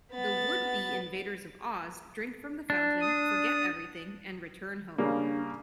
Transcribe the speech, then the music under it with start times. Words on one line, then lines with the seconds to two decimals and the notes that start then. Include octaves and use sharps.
The would-be invaders of Oz drink from the fountain, forget everything, and return home.
0.12 B3 A6
2.70 D4
3.01 D#6
4.98 C#3 G3 A#3 D4